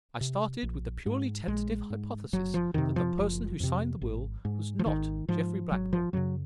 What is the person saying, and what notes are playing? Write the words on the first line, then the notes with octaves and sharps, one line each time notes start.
I started with the purely tentative hypothesis that the person who signed the will was not Jeffrey Blackmore.
C3
A#1
G#2
A#1 G#3
G#2
F#1 F#3
F3
F2 C3 D#3
F3
F#1
F2 C3
G#1
G#2
F3
G#1 D#3
G#2 F3
G#1 F#3
F3
F#2 C#3 F#3